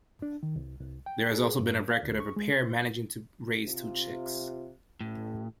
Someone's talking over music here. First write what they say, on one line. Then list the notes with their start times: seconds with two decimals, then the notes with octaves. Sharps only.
There has also been a record of a pair managing to raise two chicks.
0.22 D4
0.43 D#3
0.56 C2
0.81 C2
1.06 G5
1.31 G#4
1.59 G2
1.91 F5
2.03 D2
2.20 C#6
2.36 G#3
3.66 C3 F4
5.01 A1 A2